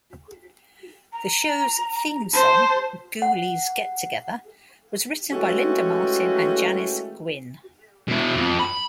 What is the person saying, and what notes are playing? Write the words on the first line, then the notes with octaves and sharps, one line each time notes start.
The show's theme song, "Goolies Get-Together", was written by Linda Martin and Janis Gwin.
A#5
C5 A5
F#5
E3 G#3 A3 C#4 F#4 G4
B2 E4
F2
B5